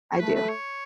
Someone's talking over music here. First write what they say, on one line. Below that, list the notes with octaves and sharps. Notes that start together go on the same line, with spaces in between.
I do.
C#5
A3 B4
B4
C#5